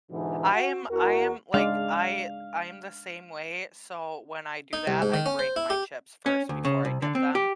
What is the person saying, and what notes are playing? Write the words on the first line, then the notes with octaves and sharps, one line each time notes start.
I am I am, like, I I'm the same way, so, when I do that, I break my chips first before I dip them.
G#2 B2 D3 E3
F#4
E2 F#4 A#4
G#3 D4 D5 F5
D#4
C2
G#2
D#3
C#4
C5
E4
G4
C#4
D2
C#3
C2
D3
C4
G4